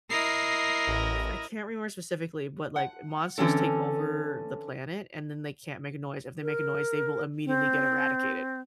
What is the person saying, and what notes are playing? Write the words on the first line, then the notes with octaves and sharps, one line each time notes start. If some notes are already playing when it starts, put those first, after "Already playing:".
I f I can't remember specifically, but, like, monsters take over the planet and then they can't make a noise, if they make a noise, they will immediately get eradicated,
E4 A#4 D#5 C7
A1
F#5
D3 E3 C4 C#4 A4
A#4
C4